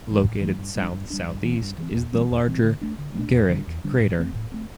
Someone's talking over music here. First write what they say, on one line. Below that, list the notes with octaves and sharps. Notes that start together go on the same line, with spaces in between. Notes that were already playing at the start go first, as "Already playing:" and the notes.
Located south-southeast is the larger Guericke crater.
E3 A3
A2
E3 A3
G2
G3 D4
G2
G3 D4
G2
E3 C4
G2
E3 C4
E2
E3 G3 C4
E2
E3 G3 C4
D3
A3 D4
D3
A3 D4
E2
D3 G3 D4
E2
D3 G3 D4
A2
A3 C4
A2
A3 C4